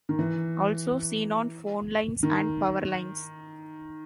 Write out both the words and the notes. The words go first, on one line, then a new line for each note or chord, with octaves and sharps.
Also seen on phone lines and power lines.
D#3
E3
D#3